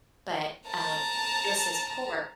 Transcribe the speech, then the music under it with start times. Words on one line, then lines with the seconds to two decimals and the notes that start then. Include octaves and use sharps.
but, um, this is por
0.68 A5 A#5